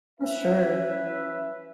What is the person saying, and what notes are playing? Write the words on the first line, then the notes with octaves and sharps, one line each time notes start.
Oh, sure.
C#4 E4 B4 E5